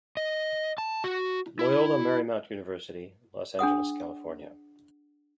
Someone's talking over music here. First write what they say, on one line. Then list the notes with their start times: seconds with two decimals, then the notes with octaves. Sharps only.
Loyola Marymount University, Los Angeles, California.
0.17 D#5
0.78 A5
1.04 F#4
1.59 E4
3.59 D4 G#4 F#5 D#6